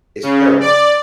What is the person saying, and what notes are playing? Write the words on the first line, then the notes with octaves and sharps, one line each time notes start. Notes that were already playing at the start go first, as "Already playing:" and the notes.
is paramount.
C#3
D5